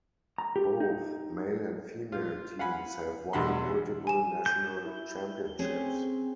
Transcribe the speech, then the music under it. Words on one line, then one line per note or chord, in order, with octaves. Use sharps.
Both male and female teams have won multiple national championships.
A#5
G4
D#4
F4
F5 F#5 G#5 B5
E2 B2 D3 F#5 B5 C6
G#5 E7
G6
E4
C4 C#4 G#4